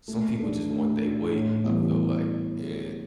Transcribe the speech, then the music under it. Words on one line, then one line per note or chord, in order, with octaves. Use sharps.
some people just want they way, I feel like, and
A3
D4 A4
A3
D4 A4
A2
E3 G3 B3